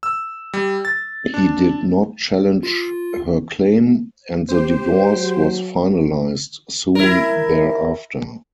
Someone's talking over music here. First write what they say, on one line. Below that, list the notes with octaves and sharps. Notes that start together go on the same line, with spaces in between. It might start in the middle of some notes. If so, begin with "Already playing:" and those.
He did not challenge her claim, and the divorce was finalized soon thereafter.
E6
G3
A6
D4
F4
G4 C5
F#3
E4 A#4